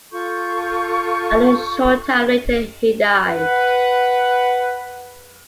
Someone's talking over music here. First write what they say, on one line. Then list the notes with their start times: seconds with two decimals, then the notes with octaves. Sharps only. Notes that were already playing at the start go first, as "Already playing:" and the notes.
Only a short time later he died.
0.13 F4 A4 C#6 G6
3.27 B4 F#5